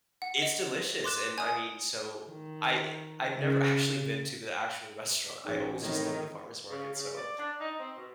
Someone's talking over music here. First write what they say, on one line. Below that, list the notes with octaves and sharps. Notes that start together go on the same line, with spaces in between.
It's delicious. And, I mean, so I I've never actually been to the actual restaurant, I always just go to the farmer's market, so
F#5
D#5
C6 D6 F#6 E7
G#5 D#6
D#3
C#3
A1 D#4 G#4 C5 G5 C#6
A2 C3 D#3 E3 D#4 D#5 G#6
C#3
C#3
D5
D4
D#4
C4
B2